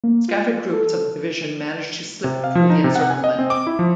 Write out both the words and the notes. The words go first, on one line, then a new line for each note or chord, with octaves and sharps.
Scattered groups of the division managed to slip through the encirclement.
A#3
F4
A4
C3
F5
F3
D#4
C3
F#5
G#5
D#5
C4
D6
E4
F3